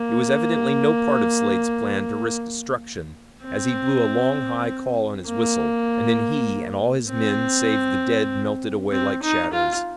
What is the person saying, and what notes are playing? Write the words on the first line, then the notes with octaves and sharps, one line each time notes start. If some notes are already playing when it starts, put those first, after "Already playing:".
It was evidently no part of Slade's plan to risk destruction as he blew a long high call on his whistle, and then he and all his men save the dead melted away like shadows.
Already playing: A#3
C4
A#3
C4
C4
D#4
F4